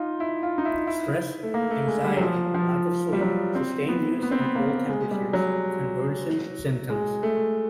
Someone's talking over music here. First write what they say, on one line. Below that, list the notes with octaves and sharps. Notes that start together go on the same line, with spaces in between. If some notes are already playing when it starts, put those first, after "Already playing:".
Stress, anxiety, lack of sleep, sustained use and cold temperatures can worsen symptoms.
Already playing: D#4 F4
E4
F4
D#4
E4
E4
A3
A#3
A3
G#3
G3
F#3
F3
F3
G3
F#3
C4
B3
B3
C4
B3
A#3
G#3
G3
F#3
G#3
A3